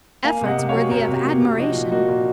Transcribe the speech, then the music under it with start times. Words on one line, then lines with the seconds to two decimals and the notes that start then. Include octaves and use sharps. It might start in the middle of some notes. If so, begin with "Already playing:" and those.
Efforts worthy of admiration!
0.24 A#3 F5 G#5
0.41 C3
0.46 D#5 F#5
0.58 C3
0.69 C#5 F5
0.74 F#3
0.91 C3 A#4 C#5
1.08 C3
1.25 A#3
1.42 C3
1.58 F3 D#4 F#4
1.75 A#2
1.92 A#3 D#4 F#4
2.08 A#2